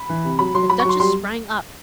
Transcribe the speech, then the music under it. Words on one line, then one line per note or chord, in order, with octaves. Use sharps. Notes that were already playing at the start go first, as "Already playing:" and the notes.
The Duchess sprang up.
Already playing: B5
E3
C3
F#3 B5
F#3 C6
F#3 B5
C#6
F#3 C6
G3 C6